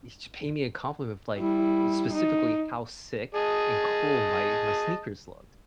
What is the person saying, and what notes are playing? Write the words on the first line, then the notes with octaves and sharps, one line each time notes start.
he's paying me a compliment of, like, specifically how sick and cool my my sneakers looked.
G3 E4
D#4
G#4 D#5 A5